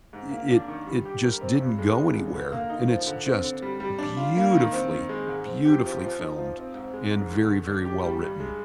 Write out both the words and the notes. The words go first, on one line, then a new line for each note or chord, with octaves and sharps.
i i it just didn't go anywhere, and it's just beautifully, beautifully filmed and very, very well written.
G#2
A#3
D4
D#3
G3
G4
A#4
C4
G2
G#3
D#4
D3
D3
A#3
D#4
F3
D3
C4
D3
G3
G3
D4
F4
A#3
D#3
C4
D#3
G#3
G#2
C4
G4
F3
F3
D#4
F3
C4
G#2
G#3
G#2
D#3
D3
D4
G4
G3
G2
G#3